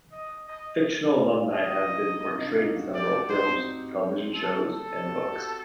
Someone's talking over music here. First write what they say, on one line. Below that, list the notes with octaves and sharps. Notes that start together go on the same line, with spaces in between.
Fictional alumni have been portrayed in several films, television shows, and books.
D#5
D#5
G4 D#5
F#4
D#4
D4
A#3
C4
D#4
D4
D#4
F#4
G4 D5
F#4
D#4 C5
C4
A4
A4
G4
F#4
G4
F#4